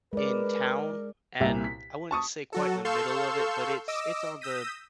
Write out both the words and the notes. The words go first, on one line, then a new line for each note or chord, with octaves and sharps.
in town, and I wouldn't say quite in the middle of it, but it's it's on the
G#3 A#4 B4 D5
C2 A#2 G4 E5
B6
A5 C#6 D#6
F#3 F#4 A4
A4 F5 C6 C#6 E6 G6
D#5 D6 E6
D#6 E6 G6 A#6 B6 D#7